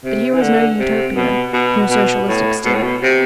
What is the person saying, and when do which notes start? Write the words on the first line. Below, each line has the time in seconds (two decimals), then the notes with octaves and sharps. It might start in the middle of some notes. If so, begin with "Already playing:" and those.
But here was no Utopia, no Socialistic state.
0.05 C3
0.34 E3
0.41 D3
0.80 C3
1.16 B2
1.54 B2
1.90 B2
2.28 A2
2.65 B2
2.75 A2
2.83 B2
3.03 C3